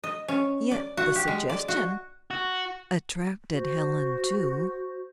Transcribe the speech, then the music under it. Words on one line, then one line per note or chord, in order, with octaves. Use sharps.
Yet the suggestion attracted Helen, too.
D#5
C#4
D5
F#4
G4
G#3
D5
F#4
F#4
F#4 C5